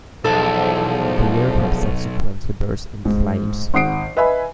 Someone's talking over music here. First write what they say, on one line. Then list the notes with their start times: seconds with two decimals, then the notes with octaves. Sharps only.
The aircraft subsequently burst into flames.
0.24 B1 E2 F3 A4
3.05 G#2
3.74 G#1 F#5 D#6 C7 D7
4.17 B4 D#5 E5 G#5 B5